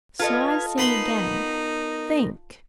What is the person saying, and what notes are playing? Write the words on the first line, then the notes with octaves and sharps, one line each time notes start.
So I say again, think.
F4 A4 B4 D#5 F6 G#6
B3 D#4 A#4 B5 C6